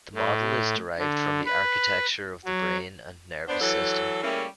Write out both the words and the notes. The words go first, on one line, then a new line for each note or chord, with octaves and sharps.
The model is derived from the architecture of the brain and nervous system.
A2
D3
B4
F#3
B3 D4 C5
E3 F#3 A4
C#3 G3 A3 A#3 C#4 E4